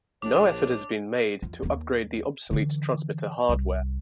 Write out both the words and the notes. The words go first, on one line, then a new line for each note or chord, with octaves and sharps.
No effort has been made to upgrade the obsolete transmitter hardware.
A#1 D4 C#5 D6
F2
D#2 F#3
D3 E3
C2